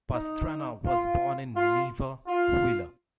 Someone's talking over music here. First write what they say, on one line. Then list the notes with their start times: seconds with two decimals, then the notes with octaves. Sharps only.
Pastrana was born in Neiva, Huila.
0.14 D#4
0.86 F4
1.56 F4
2.27 F4